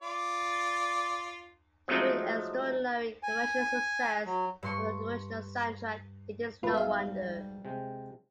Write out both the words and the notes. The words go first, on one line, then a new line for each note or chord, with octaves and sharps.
Given the extraordinary commercial success of the original soundtrack, it is no wonder.
F4 D5
F3 F#3 G#3 A3 D#4
G#5
F#3
G2 C6 C#6
B1 G#2 B2 F4 B4
G3 E5 F5
C3 G#3 G5